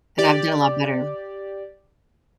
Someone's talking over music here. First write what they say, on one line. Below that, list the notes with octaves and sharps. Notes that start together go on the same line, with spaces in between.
and I've done a lot better.
G4 D5